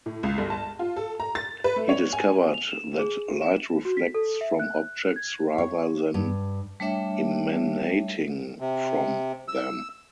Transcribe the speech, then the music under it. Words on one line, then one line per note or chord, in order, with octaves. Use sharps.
He discovered that light reflects from objects rather than emanating from them.
A2
C#2
G1
A5
F4
A4
A#5
A6
B4
A3
C#5
G#5
F7
E7
G#4
E7
F#4
B6
A4
E5
F#6
G#6
C#5
G2
G3 A3 D4 C#5 E5 G5
C3
E6